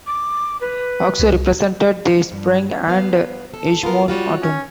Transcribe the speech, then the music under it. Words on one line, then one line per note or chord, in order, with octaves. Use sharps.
Auxo represented the spring, and Hegemone autumn.
D6
B4
C2
G2
B3 F5
A4
B3 F4 A#4
G3 F4 F#4 C#5
C#4